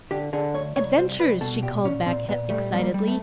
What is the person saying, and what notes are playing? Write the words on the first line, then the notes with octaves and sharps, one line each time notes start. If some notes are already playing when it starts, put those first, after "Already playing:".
"Adventures!" she called back excitedly.
D3 G4
D3 G#4
D2 C#5
C2 C#5
C2 C5
C2 B4
B2 A4
A#2 G4
A#2 C#4
A#2 C4
A#2 B3
G3 A3
G3 B3
A#3
G3
A3